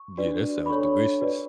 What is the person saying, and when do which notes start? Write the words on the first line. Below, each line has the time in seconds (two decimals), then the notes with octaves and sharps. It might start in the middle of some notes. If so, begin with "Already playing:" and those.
Yeah, that sounds delicious
Already playing: C#6
0.18 D4 F#4 B4 D5
0.66 B5
0.69 D4 A4 C#5 C#6
1.21 F#4 B4 D5